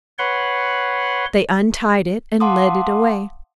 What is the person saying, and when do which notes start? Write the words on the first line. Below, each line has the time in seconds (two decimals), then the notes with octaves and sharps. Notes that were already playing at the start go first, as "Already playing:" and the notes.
They untied it, and led it away.
0.19 B4 C#5 F#5 C6
2.40 F5 F#5 A5 C6 D6 D#6